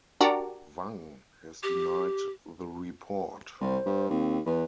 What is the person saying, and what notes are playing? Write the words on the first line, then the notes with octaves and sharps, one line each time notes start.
Wang has denied the report.
D4 F#4 G4 A#4 D5
G4
C2 C5
G2
D#2 C4
E2 B4